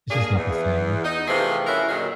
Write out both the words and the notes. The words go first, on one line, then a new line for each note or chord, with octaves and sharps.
It's just not the same.
A#3 D4 G#4
E2
D#4
C3 E3 F3 A3 G#4
C#4 E4 F#4 A#4
A#2 D3 D#3 F#3 G#4